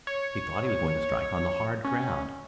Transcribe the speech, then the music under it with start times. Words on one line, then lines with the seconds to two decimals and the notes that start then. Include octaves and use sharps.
He thought he was going to strike on the hard ground.
0.07 C#5
1.84 C#4